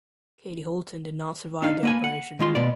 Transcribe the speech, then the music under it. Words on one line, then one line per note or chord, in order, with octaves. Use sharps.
Katie Holton did not survive the operation.
D4 D#4 F5
A#3 B4 G#5
F#5
D#3 G#3 F4 C6
B2 B3 D5